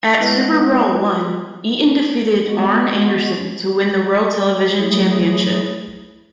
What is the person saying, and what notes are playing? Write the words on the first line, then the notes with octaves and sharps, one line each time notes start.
At SuperBrawl I, Eaton defeated Arn Anderson to win the World Television Championship.
G#3 B3 E4 B4
G#3 B3 F#4
F#3 A3 E4 G#4